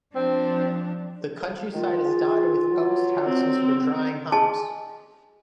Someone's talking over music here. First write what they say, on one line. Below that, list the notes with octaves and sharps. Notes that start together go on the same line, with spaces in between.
The countryside is dotted with oast houses for drying hops.
F3 C4 D4
D#3 F4
G#4
F#3
C4
G#4 D#5 G#5 A5 C6